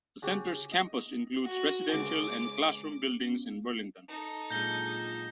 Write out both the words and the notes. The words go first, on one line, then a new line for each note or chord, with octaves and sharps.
The center's campus includes residential and classroom buildings in Burlington.
C#3 F#4 G4
D#5
F#4
C#2 C#3 D6
D#4 A4
A#2 F#3 G#3 D4 F4 G6 A#6 G7